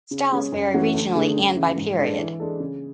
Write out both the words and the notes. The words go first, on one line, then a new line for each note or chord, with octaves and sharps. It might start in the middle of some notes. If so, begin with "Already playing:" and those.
Styles vary regionally and by period.
C#3
G#3 C#4 G#4
F#2
E3 A3 C#4 F#4
D2
D3 A3 D4 G#4
F#2
C#3 E3
G#2
G#3 D4 A4
E3
G#3 D4 A4
C#3